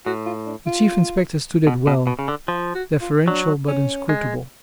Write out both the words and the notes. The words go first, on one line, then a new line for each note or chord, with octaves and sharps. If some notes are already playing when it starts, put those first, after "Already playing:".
The Chief Inspector stood it well, deferential but inscrutable.
A2 F#4
F4
D4
F4
B2
B2
B2
C#3
D3
F3 F4
F#4
F4
F#3 D4
C#4
G#3